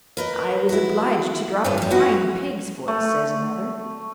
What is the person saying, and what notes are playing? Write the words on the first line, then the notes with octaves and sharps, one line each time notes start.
"I was obliged to drop a fine pig's foot," says another.
A#4 B4 D#5
E4 F#4
G#2 C#3 G3 A3 B3 D4
F#2 G3
B3 D#4 E4 F#4 F#5
A3